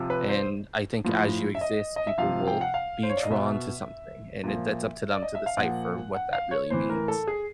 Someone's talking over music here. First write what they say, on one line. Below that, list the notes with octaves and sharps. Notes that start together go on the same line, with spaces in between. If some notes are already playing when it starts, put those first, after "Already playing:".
And I think as you exist, people will be drawn to something, and it that's up to them to decipher what that really means.
Already playing: C3 F3
B4
C5
A2 F3
E5
D#5
D#5
E5
C3 F3 F5
G5
F#5
F5
C5
C#5
D5
D#5
B2 E5
A#2 F3
D5
D#5
E5
F5
A#2 F3 F#5
F#5
F5
C#5
A2 E3 C5
A#4
A4
G#4